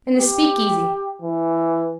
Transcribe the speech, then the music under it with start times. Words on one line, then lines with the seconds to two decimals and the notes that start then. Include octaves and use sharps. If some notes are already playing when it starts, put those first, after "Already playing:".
In the speakeasy.
0.18 G4
1.22 E3